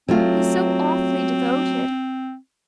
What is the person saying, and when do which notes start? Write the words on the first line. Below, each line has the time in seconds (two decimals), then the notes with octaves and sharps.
"He's so awfully devoted!"
0.08 F#3 A3 C4 F4